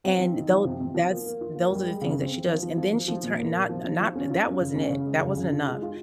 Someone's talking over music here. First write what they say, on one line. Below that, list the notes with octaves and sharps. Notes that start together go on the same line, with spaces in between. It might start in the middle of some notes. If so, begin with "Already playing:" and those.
And though that's those are the things that she does. And then she turn not not that wasn't it, that wasn't enough.
C4
F3
D#4
F3
C3
C3
F3
A#3
A#3
F4
A#3
G3
G#3
C#3
C4
C4
F3
F3
F3
F3
F3
A#2
A#3
A#2
F3
F3
F3
C#4
F4
C#4
C#3
C#4
C#3
G#3
C#3
C#3
F4
G#3
F4